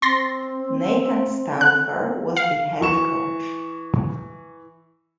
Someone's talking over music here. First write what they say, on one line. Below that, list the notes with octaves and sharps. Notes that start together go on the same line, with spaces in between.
Nathan Stauffer was the head coach.
C4 C6 A6 A#6
F#6
F5
E3 C#6 E7